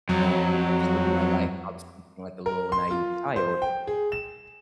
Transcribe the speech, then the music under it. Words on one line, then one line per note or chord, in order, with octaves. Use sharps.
and, you know, just living my life, obviously being, like, a little naive child,
F2 F#3
A#4
C6
F4
C5
G5
G#4
E7